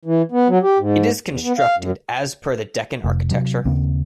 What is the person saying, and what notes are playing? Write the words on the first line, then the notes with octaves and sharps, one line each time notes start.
It is constructed as per the Deccan architecture.
E3
B3
F#3
G4
G#2
E2
B3
F5
F#2
F1
C3 F#3
D#2 C#3 A#3 C4